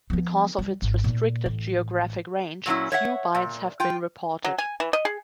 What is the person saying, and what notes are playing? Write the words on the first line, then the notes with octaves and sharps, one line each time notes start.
Because of its restricted geographic range, few bites have been reported.
F3 B3
G3
G#1
A#2 D#4
A1
A#2 F#3 C#4 E4
C#5 E5 F#5
A#2
F4 G5
F#3
G#5
E3
D#5
G#4